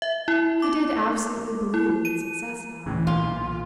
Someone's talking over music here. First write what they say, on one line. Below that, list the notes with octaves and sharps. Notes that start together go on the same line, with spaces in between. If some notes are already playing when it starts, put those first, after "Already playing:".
He did absolutely believe in success now.
E5
E4
D6
E4
D#7
D2 A2 C#3 E3
B1 A#2 F4